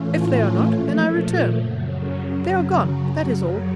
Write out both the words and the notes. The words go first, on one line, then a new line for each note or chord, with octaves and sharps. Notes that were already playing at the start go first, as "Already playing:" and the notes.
If they are not, then I return. They are gone, that is all.
Already playing: A2 E3 A3 C#4 F4
A#2 F3 A3
F#2 C#3 F#3